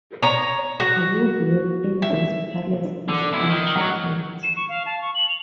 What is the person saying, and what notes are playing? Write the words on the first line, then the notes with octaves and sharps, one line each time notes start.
The woodwork in this palace is intricate.
C#5 A#5
F#4
E5
D3
B1 E4
D#3
F#3 F#4
E7
C#6
F5
A5
C#6
F#7
F7